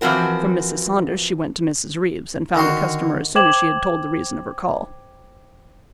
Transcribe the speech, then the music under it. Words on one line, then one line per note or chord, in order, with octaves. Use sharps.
From Mrs. Saunders she went to Mrs. Reeves and found a customer as soon as she had told the reason of her call.
E3 F3 C4 F#4 A#4
D3 D#3 F#4 C6
C5 G5 D6 G#6 E7 F#7